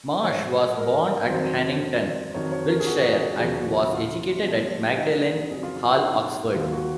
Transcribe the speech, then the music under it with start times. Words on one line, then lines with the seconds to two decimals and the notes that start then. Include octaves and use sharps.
Marsh was born at Hannington, Wiltshire and was educated at Magdalen Hall, Oxford.
0.24 G#2 F3 C#5
0.77 A#4
1.29 F2 D#3 F#3 C5
2.34 F2 D#3 F#3 C#5
2.52 C#5
2.70 A#4
2.80 G#4
2.87 F#4
3.40 D#2 C#3 F3 F#4
3.93 F4
4.45 C2 A#2 F3
4.98 D#4
5.49 F2 C#3 F#3 G#4
5.63 F4
5.77 F4
5.90 F4
6.03 D#4
6.55 D#2 D#3 F#3 F4
6.73 F#4